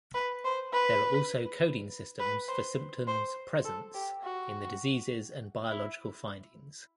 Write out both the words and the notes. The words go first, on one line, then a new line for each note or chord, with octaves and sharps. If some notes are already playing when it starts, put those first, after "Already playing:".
There are also coding systems for symptoms presents in the diseases and biological findings.
B4
C5
B4
B4
C5
C5
A4
G4
F#4
E4